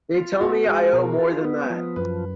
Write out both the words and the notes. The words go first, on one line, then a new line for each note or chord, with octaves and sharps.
They tell me I owe more than that.
F4
B3 F#4
G#3 G#4
B2 A#4
F4
B3
F3
F#2 B4